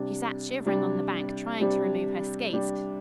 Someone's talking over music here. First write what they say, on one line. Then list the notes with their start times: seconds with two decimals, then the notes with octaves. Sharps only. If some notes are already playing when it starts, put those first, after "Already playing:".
She sat shivering on the bank trying to remove her skates.
Already playing: C3 G3 D4
0.65 C3 G3 D4
1.59 C3 G3 D4
2.53 G3 D4